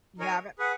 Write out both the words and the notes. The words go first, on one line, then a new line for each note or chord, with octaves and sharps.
You haven't?
D#4 A#4 C#5 G#5
G#4 B4 F#5